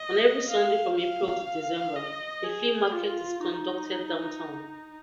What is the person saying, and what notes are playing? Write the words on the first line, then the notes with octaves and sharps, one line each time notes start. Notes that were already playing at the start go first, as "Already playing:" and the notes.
On every Sunday from April to December, a flea market is conducted downtown.
Already playing: D#5
F5
F5
D#5
G#4
F4
D#4